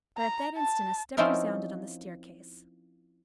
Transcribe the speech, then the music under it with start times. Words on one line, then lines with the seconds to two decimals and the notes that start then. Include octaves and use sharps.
But at that instant a step resounded on the staircase.
0.18 A#5
0.57 A5
1.17 F3 C4 C#4 D#4 E4 A#4